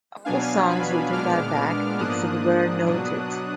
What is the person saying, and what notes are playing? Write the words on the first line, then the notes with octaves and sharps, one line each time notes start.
All songs written by Beck, except where noted.
B2 F#3 B3 D4 F5 G#5
G#5 B5
A#2 G#3 B3 D4 D6 F6
G#2 F3 A#3 D4 D#6 F#6
B2 F#3 D4